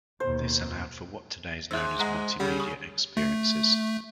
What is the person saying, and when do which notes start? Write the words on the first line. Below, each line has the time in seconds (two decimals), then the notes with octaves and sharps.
This allowed for what today is known as multimedia experiences.
0.20 D#2 B2 C5
1.71 G#2 E5 E6
1.99 G#3 F#5 A#5 F#6
2.40 C#3 G3 F#5
2.60 C#6 D#6
3.17 A3